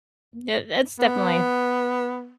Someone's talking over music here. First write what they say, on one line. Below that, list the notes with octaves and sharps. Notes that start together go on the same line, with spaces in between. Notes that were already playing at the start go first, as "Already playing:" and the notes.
that that's definitely
B3